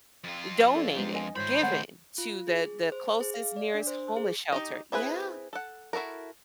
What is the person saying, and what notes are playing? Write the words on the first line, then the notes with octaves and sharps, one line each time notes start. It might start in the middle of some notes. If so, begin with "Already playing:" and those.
donated, given to the the closest, nearest homeless shelter yeah.
F2 F4
C#4 A4 D5
G#3 B3 D4 D#4 G4
D#5 G#5
G#2 D#3 F4 C5 C#5 B5
A3 G4 C#5 F#5
F4
G#4
C5
G#4
F5
D5
D4
C5
G#4
D#4 G4 D#5
C4 E4 G#4 B4
A4 F#5
E4 F#4 A4 A#4